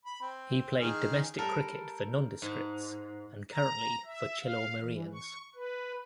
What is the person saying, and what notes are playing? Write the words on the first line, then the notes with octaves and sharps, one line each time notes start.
He played domestic cricket for Nondescripts and currently for Chilaw Marians.
B5
C4
D#3 G#4 F6
G3 A4 A#4 A5
G#2
A#5
E5
F5
E3
C#6
B4